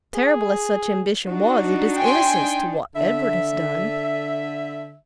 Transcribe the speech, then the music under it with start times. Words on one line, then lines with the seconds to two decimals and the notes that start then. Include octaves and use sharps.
Terrible as such ambition was, it is innocence to what Edward has done.
0.15 G#4
1.26 D4 D#4 F#4
1.98 G5 G#5 C6
2.96 D3 E5